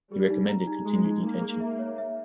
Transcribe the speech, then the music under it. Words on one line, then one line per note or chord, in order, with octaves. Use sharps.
He recommended continued detention.
G3 G#4
D#4
A#5
D#4
G#3 G#4
D#4
A#3 D#4
G#4
E5
C#5
E5